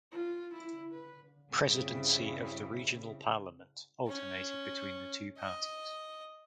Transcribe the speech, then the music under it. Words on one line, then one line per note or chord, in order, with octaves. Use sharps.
Presidency of the regional parliament alternated between the two parties.
F4
E4
B4
G2 C#3 G3 C4 E4
C#4
D#5